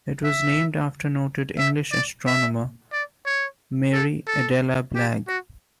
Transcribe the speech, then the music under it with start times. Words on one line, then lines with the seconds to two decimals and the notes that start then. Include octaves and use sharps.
It was named after noted English astronomer Mary Adela Blagg.
0.24 E5
1.58 E5
1.92 D5
2.26 E5
2.93 D5
3.26 C#5
3.93 A4
4.27 A4
4.95 G4
5.28 F#4